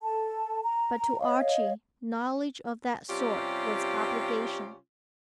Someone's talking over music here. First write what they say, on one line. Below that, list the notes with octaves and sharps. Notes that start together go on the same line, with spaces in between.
But to Archie knowledge of that sort was obligation.
A4 A5
A#5
C#5 D#5 F5
C3 G3 C#4 F4 G4